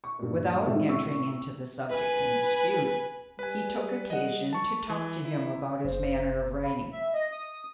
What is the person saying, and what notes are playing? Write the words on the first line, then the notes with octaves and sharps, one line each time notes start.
Without entering into the subject in dispute, he took occasion to talk to him about his manner of writing.
C#6
G2 A#2
A2 D3 D#3 G#3 A3 C4
A2 C3 C#6 E6
B4 G#5
G3 B4 G#5
D#5 F#5
A5 C#6
E3
E4
F#1 C5
B5
E5
D#5
D#6